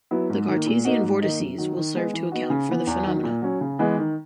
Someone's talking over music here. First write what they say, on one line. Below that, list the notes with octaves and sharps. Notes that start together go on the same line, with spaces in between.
The Cartesian vortices will serve to account for the phenomena.
F#3 B3 E4
G#2
D#3 A#3
A#2
A#3 D#4 F#4
G#2
D#3 A#3 D#4
F#2
D#3 F#3
D#3
G#3 B3
E3
B3 D#4 F#4
C#3
E3 B3
E2
D#3 F#3
A#2
F#3 C#4
C#3
E3 G#3 B3
D#3